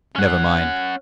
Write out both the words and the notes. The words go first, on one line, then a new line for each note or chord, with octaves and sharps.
Never mind.
C#4 F#5